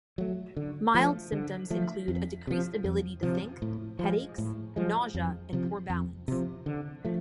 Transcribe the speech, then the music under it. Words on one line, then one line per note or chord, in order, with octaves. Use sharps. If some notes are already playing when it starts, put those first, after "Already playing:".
Mild symptoms include a decreased ability to think, headaches, nausea, and poor balance.
F#3 A3
D3
F3 A3
D3
F3 A3
F2
C3 F3
F2
C3 F3
A2
F3 G#3
A2
F3 G#3
F2
C3 F3
F2
C3 F3
D3
F3 A3